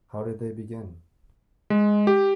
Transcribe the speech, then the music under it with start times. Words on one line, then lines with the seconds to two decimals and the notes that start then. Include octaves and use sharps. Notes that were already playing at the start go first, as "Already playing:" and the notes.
How did they begin?
1.70 G#3
2.07 G4